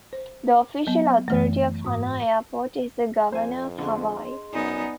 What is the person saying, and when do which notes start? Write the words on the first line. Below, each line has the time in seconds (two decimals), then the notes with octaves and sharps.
The official authority of Hana Airport is the Governor of Hawaii.
0.13 C5
0.87 F#3 B3
1.28 F#2 E3 A3
1.84 G#2 D#6
3.32 F2 C5 G#5
3.79 D3 G#4 D#5 C6
4.53 F#2 B3 D#4 D5 G#5 A#5